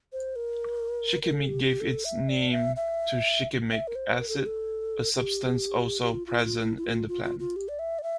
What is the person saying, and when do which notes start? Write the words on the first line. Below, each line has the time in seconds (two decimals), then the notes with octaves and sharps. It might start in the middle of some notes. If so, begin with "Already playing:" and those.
"Shikimi" gave its name to shikimic acid, a substance also present in the plant.
0.13 C5
0.36 A#4
1.23 A#4
1.33 A4
1.48 G4
1.64 G4
1.80 A4
2.05 E5
2.29 D5
2.52 E5
2.76 E5
3.71 E5
3.88 A#4
3.95 C5
4.19 A#4
4.29 A4
4.38 G4
4.46 A4
5.16 G4
6.02 G4
6.12 F4
6.27 F4
6.44 F4
6.59 E4
6.78 E4
6.84 F4
7.08 F4
7.24 F4
7.40 F4
7.56 G4
7.68 D5
7.79 E5
7.99 D5
8.03 E5